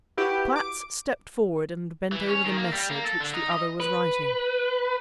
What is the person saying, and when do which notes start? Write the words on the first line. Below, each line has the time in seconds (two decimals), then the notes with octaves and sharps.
Platts stepped forward and bent over the message which the other was writing.
0.18 E4 F#4 G4 B4
0.56 D6
2.12 E3
2.29 C#4
2.46 D#3
2.57 A#3
2.73 G3
2.90 A#3
3.05 A4
3.20 D3
3.34 D#4
3.52 D#5
3.80 B4